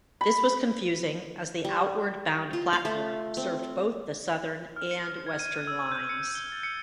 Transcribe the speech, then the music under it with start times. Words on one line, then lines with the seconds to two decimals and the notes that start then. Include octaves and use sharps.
This was confusing as the outward-bound platform served both the Southern and Western Lines.
0.21 B5
1.65 G3
2.53 F4
2.73 F5
2.85 A3
3.37 C4
4.76 F6
4.91 C#7
5.04 F6
5.27 G#6
5.39 D#7
5.55 G#6
5.67 E6
5.92 G6
6.09 C#7
6.35 G7
6.52 A6
6.63 C#7